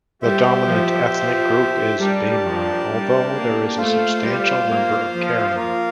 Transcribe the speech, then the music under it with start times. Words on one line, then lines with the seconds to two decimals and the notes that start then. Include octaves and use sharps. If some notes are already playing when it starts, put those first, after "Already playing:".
The dominant ethnic group is Bamar, although there is a substantial number of Karen.
0.22 G3 G4 C5 E5
0.68 F3
1.11 F3
2.00 G3 D4 G4 A#4 D5 A5
2.44 F3
2.90 G3
3.34 A#3
3.78 A3 F4 C5 F5
4.23 G3
4.67 A#3
5.11 F3
5.55 A#3 F4 A#4 F5